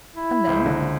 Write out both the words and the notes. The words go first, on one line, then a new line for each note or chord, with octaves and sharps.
"And then?"
E4
C#2 C5
D3 A#3